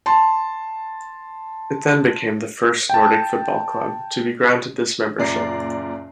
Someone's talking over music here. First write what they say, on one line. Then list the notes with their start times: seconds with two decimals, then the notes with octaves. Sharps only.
It then became the first nordic football club to be granted this membership.
0.06 A5 C6
2.90 G5 A5
5.19 F#1 A#2 D5 A#5 C7